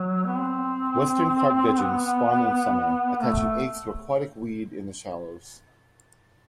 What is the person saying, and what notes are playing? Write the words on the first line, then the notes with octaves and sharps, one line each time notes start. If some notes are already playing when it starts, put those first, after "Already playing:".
Western carp gudgeons spawn in summer, attaching eggs to aquatic weed in the shallows.
Already playing: F#3
B3
C4
B3
A3